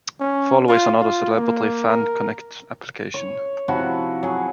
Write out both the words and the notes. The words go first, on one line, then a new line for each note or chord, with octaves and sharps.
Follo is another celebrity Fan-connect application.
C#4
F4
F4
A#3
A#4
C#5
C3 F3 E4 F#4
F#3 G#4